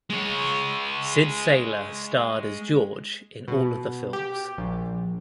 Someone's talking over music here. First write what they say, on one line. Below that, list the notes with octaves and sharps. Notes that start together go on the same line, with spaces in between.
Syd Saylor starred as George in all of the films.
G#3 C#5
B2
G4
A#1